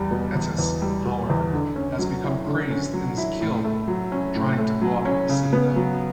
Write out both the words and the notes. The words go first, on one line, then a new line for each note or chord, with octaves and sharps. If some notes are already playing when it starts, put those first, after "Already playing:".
Ettis, however, has become crazed and is killed trying to blow up the Citadel.
Already playing: E2 G3
B2
E2
E2
G3
B2
E2
D3
C#4
F#3
E4
D3
C#4
F#3
E4
A2
A3
F#3
C#4
A2
A3
F#3
C#4
C#3
B3
F#3